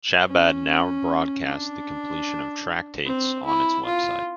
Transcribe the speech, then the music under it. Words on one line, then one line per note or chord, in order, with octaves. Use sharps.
Chabad now broadcasts the completion of tractates on its website.
C#4
D4
C4
E4
F4